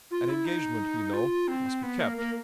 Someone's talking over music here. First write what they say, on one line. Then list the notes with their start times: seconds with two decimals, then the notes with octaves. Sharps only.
An engagement, you know, must be kept.
0.11 F4
0.29 E4
0.45 D#4
1.13 F4
1.48 C4
1.83 B3
2.00 A#3
2.17 A#3